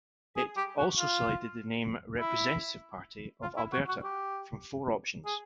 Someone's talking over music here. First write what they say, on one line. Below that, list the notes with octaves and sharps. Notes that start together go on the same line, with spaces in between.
It also selected the name Representative Party of Alberta from four options.
G#4
G4
F#4
F4
E4
F4
E4
F#4
F#4
G4
G#4